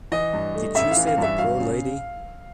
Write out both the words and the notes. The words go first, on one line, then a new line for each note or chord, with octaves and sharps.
Did you save the poor lady?
E3 D#5
G2
A3
A1 E5
F5
E3
F5
G2 E5
F#3 F5
C#3